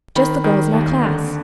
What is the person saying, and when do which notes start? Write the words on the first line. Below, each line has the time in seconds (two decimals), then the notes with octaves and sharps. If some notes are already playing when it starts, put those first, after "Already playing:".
"Just the girls in our class."
0.16 D#3 B5
0.44 D#3
0.74 D#2
1.03 D3